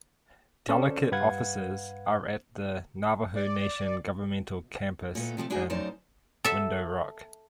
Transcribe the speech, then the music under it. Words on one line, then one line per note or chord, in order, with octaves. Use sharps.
Delegate offices are at the Navajo Nation governmental campus in Window Rock.
C#4 A4 C5 D5
G2 B4 F5 F#5 G#6
D5
A#2 A3 B3
C3 F3 G#3 A3
G#3 D4 D#4 F#4 G#4
F#2 A3 D#4 C5 D5
A4 E5